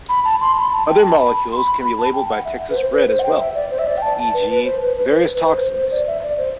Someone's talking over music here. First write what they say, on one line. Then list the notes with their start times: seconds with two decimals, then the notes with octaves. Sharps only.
Other molecules can be labeled by Texas Red as well, e.g., various toxins.
0.09 B5
0.25 A5
0.41 C6
0.57 B5
0.73 A5
0.88 G5
1.04 A5
1.20 B5
1.52 C6
1.56 B5
1.77 B5
1.98 A5
2.13 G5
2.30 F#5
2.45 E5
2.70 B4
2.76 C5
2.92 B4
3.08 C5
3.19 F#5
3.24 G5
3.39 E5
3.55 D5
3.71 C5
3.79 E5
3.87 D5
3.98 G5
4.02 A5
4.19 A5
4.34 B4
4.49 B4
4.65 C5
4.81 B4
4.97 B4
5.05 C5
5.12 B4
5.34 B4
5.45 B4
5.54 C5
5.75 C5
5.91 D5
6.07 E5
6.23 D5
6.38 C5